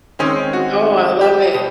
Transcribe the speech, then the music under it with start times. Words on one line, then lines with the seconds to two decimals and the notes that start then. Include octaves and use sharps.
Oh, I love it.
0.19 D#3 G#3 C4 C#4
0.53 F#4
1.21 G4
1.54 B2